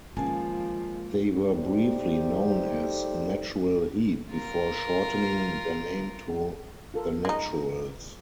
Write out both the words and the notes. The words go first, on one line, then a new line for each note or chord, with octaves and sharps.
They were briefly known as "Natural Heat" before shortening their name to "The Naturals".
D#3 F3 G#3 A#3 C#4 G#4 A5
A3 D#4 G4 A4 C5 D5
F4 A#4
F4 A4 A#4
G#3 D#4